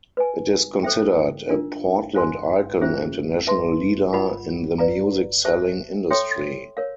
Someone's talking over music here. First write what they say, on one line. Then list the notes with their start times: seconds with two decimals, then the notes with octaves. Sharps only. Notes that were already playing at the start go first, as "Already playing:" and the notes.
It is considered a Portland icon and a "national leader in the music-selling industry".
0.17 B4 D#5 G#5
0.83 A4 C5 E5 G5
1.49 D4 F4 A#4
2.14 C5 F5 G#5 C6
2.81 C#4 F4 G#4 C5 E5
3.47 B4 E5 A5 C6
4.13 F4 A#4 D#5 F#5 B5
4.78 B4 D5 F5 A#5
5.45 G4 C5 E5 A5
6.11 A4 C#5 E5 G5 C6
6.77 A#4 C#5 F5